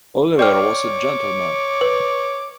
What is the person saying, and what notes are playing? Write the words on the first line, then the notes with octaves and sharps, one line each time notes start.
Oliver was a gentleman.
C#5 D5 G5 D6 F6
B4